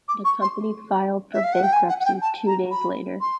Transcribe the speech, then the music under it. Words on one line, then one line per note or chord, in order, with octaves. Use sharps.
The company filed for bankruptcy two days later.
D6
C#6
C6
E5
F5
F#5
G5
G#5
F#5
F#5
G5
A5
A#5
B5
C6